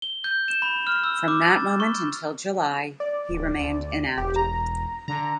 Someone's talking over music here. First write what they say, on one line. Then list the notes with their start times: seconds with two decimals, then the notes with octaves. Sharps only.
From that moment until July, he remained inactive.
0.02 G7
0.24 G6
0.48 E7
0.62 B5
0.87 F6
1.04 E6
1.28 D6
1.42 A6
1.80 C#6
3.00 D5
3.29 D1
3.55 D2
4.18 E1 G4
4.36 A#5
5.08 D3 A#5